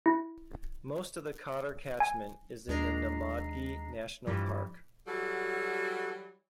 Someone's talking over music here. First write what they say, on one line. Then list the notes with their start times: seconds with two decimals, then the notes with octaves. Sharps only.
Most of the Cotter catchment is in the Namadgi National Park.
0.06 E4
2.00 G#5
2.68 D#2 G#3 D4 A#5 C7
4.27 G2 E3 F3 G3
5.07 E3 F#3 G3 F#4 A4